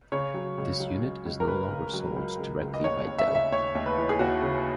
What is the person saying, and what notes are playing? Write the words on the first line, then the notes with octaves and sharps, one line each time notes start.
This unit is no longer sold directly by Dell.
C#3 C#5
F#3
C#2
F#3
C#2
C#2
A#4
C#2 B4
C#3
F#3
C#2
C#2
C#2
D#5
D#2 C#5
D#2
E5
C#3
E5
D#2 C#5
D#2
B4
E3
G#4
D#2 F#4
C#3